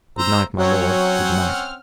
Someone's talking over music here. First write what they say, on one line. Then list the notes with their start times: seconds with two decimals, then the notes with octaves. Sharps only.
Good night, my lord, good night.
0.18 C5 A#5 E6
0.58 F#3 C4 C#4 C#5 F#5
1.46 F6